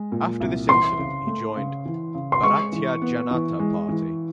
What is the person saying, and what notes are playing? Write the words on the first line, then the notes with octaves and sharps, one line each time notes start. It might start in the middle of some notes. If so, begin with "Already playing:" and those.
After this incident he joined Bharatiya Janata Party.
Already playing: G#3
A#2
C2
E3 C6
C#3
A3
C#3
E3
C#3
C6
G#3 C#6
E3
B3
E3
G#3
E3